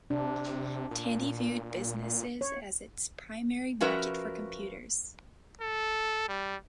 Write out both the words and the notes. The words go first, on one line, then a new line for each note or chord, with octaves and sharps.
Tandy viewed businesses as its primary market for computers.
C3 D4
A#2
C#5
F3 C#4 F#4 A#4 B4 E5
A4
G3